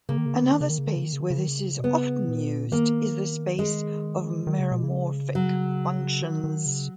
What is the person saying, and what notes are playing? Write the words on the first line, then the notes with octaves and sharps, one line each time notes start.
Another space where this is often used is the space of meromorphic functions.
C#3 A#3
D#3
C#3
D#3
C#3
D#3
C#3
D#3
C#3
D#3
C#3
D#3
C#3
D#3
C#3
D#3
C#3
B2
C#3 B3
A#2
D#3 A#3
G#3
D#3
C#3
B2
C#3
F#3
D#3
D#3
C#3